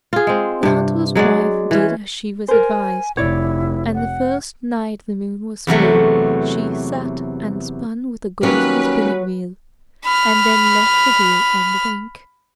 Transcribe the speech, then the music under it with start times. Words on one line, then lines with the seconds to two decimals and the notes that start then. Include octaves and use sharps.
The hunter's wife did as she was advised, and the first night the moon was full she sat and spun with a golden spinning-wheel, and then left the wheel on the bank.
0.13 F4 G#4
0.27 G#3 C4
0.63 G2 C3
1.15 F#3 G#3 F#4 D5
1.71 E3 C#4
2.48 A#4 C5 G#5
3.17 F1 E4 C#5 D5
3.95 F#5
5.67 E2 C3 F#3 A3
8.43 D#3 F#3 G3 A#3 C#4 B4
10.04 B5 F6